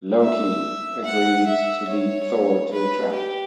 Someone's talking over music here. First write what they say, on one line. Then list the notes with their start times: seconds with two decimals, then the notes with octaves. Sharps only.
Loki agreed to lead Thor to the trap.
0.22 E5
1.05 F#5
1.47 E5
1.88 C#5
2.72 B4
3.13 G4